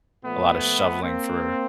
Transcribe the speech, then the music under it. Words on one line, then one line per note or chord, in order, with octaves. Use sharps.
a lotta shoveling for
A#2 F3 A3 B3
A#3 C4